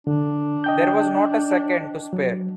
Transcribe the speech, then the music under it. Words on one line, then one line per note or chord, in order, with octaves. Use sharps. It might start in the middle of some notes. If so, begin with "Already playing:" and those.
There was not a second to spare.
D3 D4
D#5 G5 G6
F#3